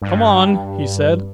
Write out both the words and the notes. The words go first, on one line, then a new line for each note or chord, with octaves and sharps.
"Come on!" he said.
G2